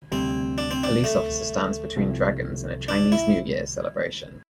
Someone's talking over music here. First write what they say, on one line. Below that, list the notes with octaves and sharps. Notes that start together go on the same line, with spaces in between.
A police officer stands between dragons in a Chinese New Year celebration.
D2 C3 G3 C4
D4
C4
D4
A3
C2 C3 F3
D4
E4